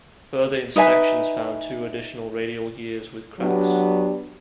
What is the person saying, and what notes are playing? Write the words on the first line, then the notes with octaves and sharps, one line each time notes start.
Further inspections found two additional radial gears with cracks.
D#4 B4 E5 G#5
F#3 B3 D4 G4